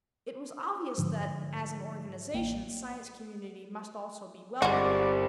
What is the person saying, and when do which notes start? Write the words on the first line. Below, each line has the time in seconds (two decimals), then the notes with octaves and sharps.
It was obvious that as an organization, the Science Community must also be wealthy.
0.98 G#2 D3 F3
2.33 A1 A#3 G5
4.62 G1 G3 G#3 C4 F#4 D5